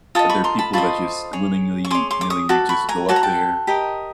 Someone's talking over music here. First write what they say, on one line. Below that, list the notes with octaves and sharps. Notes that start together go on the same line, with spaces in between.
that there are people that just willingly-nilly would just go up there,
F4 A4 D#5 D#6
B5 C#6
A#5 C6
A5 B5
F4 A4 C5 D#5 B5 C#6
G#4 C#5
C#6
G#4 C#5 C6 D6
C6 D6
D6
C#6 D#6
F#4 A4 D6
B5 C#6
G#5 A#5
F#4 A4 C#5 A5
A#5
G5 A5
G4 A#4 D#5